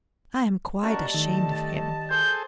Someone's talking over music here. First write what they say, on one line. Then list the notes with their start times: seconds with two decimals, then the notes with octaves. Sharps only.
I am quite ashamed of him.
0.83 G3 A#3 C#4 F#4 D#5 A5
1.14 D#3 A3
2.10 G#4 A4 C5 G6